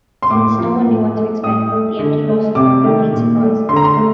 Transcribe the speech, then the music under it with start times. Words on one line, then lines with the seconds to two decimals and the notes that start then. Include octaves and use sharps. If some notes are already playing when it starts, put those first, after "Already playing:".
Since no one knew what to expect, the empty buses were a complete surprise.
0.22 C6
0.30 A2 D6
0.58 F3 A#3
0.87 A2
1.15 A3
1.43 A2 D#6
1.71 A3
1.99 D3
2.28 A3
2.55 C3 D6
2.83 D#3 A3
3.13 A#2
3.41 A3
3.69 D3 C6
3.76 A#5
3.84 C6
3.97 A3